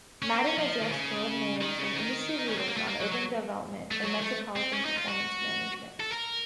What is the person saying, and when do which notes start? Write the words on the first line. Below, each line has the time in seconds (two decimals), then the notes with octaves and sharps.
Madden addressed world mayors and industry leaders on urban development and Metropolitan Performance Management.
0.22 C#4
0.34 C4
0.45 C#4
0.57 F3
0.81 D#3
0.92 C#3
1.61 D#3
1.79 C#3
1.95 D#3
2.38 D#4
2.48 C#4
2.58 C4
2.67 A#3
2.77 A3
2.88 A#3
3.00 F#3
3.12 F#3
3.91 A3
4.03 F#3
4.22 A3
4.56 C4
4.74 C#4
4.85 D#4
4.96 F4
5.08 F#4
6.00 A4
6.12 A#4